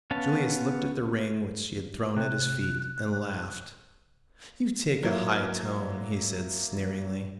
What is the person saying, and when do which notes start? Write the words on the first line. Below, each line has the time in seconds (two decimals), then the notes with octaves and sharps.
Julius looked at the ring which she had thrown at his feet, and laughed. "You take a high tone," he said sneeringly.
0.11 B3 C#4 F5 A5
2.16 C3 F#6
5.03 F#3 A#3 E4